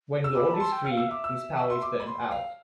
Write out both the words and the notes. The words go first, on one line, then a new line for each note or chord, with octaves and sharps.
When Lord is freed, his power is burnt out.
E6
B5 D6
A5
C6
G5
F6
F5
E6
E5 D6
E6
B5
C6
D6
B5
C6
F5